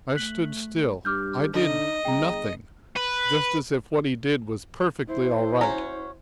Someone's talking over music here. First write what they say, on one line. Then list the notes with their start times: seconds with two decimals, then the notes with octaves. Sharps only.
I stood still; I did nothing, just as if what he did was perfectly all right.
0.16 A3 F#6 B6 F#7
1.05 G2 G4 D6 F6 G6
1.54 D3 D#4 D#5
2.05 G1 G#4 G5 A#5
2.96 B4
5.08 E4 C5
5.61 C#4 F#4 A#5